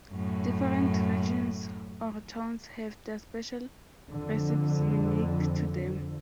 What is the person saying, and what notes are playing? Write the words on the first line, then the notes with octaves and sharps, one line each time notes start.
Different regions or towns have their special recipes unique to them.
F#2 A2
F2 D3